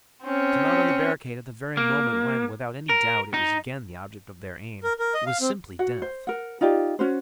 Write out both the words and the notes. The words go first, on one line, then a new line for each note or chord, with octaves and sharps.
To mount on the barricade at the very moment when, without any doubt, it was again the object of their aim, was simply death.
C4 C#4
A#3
A#4
D#4
A#4
A#4
D#5
F5
C4
F#4 F#5
C5
A#4 F#5
D#4 F4 G4 D5
C#4 F#4 C5